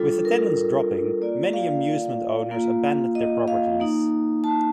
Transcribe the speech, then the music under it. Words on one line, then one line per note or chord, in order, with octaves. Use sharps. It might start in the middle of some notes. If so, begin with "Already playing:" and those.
With attendance dropping, many amusement owners abandoned their properties.
Already playing: G3 D4 F4 A4
A4
A#4
A#3 F4 D5
F5
A#3 F4
D#5
F5
A#3 D#4
A5